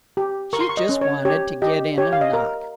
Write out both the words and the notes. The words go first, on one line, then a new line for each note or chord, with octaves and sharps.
She just wanted to get in a knock.
G4
A#4 C#6
C6
C#6
D#5
C#4
C#5
G4 C#5
G4 D#5
G4 C#5
F5
D#5
A#4